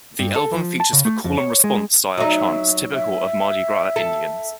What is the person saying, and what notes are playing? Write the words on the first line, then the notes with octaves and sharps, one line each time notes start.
The album features the "call-and-response" style chants typical of Mardi Gras Indians.
G2
A4
F3
A5
C#3
A3
F2
C#5
G#3
F#3 D#4 E5
E5
A4